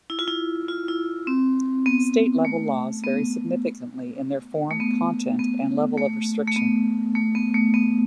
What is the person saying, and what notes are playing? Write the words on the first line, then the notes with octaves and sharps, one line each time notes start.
State level laws vary significantly in their form, content, and level of restriction.
E4
F4
E4
F4
E4
C4
B3
A3
B3
A3
B3
B3
A3
A3
B3
A3
B3
A3
B3